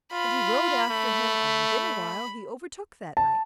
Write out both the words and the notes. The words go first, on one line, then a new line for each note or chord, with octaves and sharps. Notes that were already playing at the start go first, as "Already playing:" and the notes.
And he rode after him, and within a while he overtook that knight.
F4 B5
A3
A5